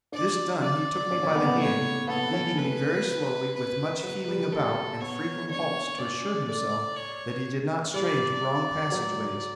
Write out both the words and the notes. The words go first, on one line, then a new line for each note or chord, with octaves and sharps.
This done he took me by the hand, leading me very slowly, with much feeling about and frequent halts to assure himself that he did not stray into wrong passageways.
D4 D5
D5
C#4
C#4
B3
B3
A3 C#5
B3 A4
C#4
A3 B4
B4
F#3
G3
A3 A4
B3 C#5
D4 C#5
C#4 D5
A3 D5
C#5
G3 D5
F#3